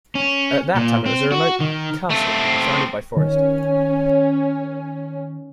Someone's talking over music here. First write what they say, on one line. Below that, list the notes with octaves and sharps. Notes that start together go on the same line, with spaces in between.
At that time it was a remote "castle", surrounded by forest.
C#4
A#2
C4
F#4
D#3
A3 C4
D#3 C#4